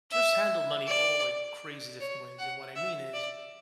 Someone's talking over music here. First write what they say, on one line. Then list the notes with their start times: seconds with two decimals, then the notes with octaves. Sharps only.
just handle money all, like, crazy different ways, and what I mean is
0.12 E5
0.88 D5
2.01 C#5
2.39 F#5
2.76 E5
3.14 D5